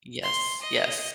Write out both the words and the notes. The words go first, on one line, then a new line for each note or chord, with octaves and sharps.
Yes, yes.
C6
D#5